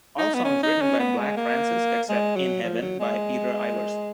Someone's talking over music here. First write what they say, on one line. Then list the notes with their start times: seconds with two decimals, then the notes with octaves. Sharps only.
All songs written by Black Francis, except "In Heaven" by Peter Ivers.
0.18 D#4
0.34 B3
0.45 C#4
0.63 D#4
0.81 C#4
0.99 B3
1.18 G#3
1.37 A#3
2.09 G#3
2.36 F#3
2.63 F3
2.81 F#3
3.00 G#3